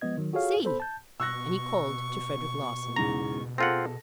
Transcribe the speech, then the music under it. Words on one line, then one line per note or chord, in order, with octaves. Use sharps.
"See!"--and he called to Frederic Larsan.
F3 G#3 B3 D#5 G#6
D#3 F#3
F4 F#4 G#4 A4 C#5 F5
B3 A4 C5 B5
A5 G6
B2 C#6 E6 F#6 A#6
E2 G#2 C#3 A#5
C4 F4 G#4 A4 F#5 A#6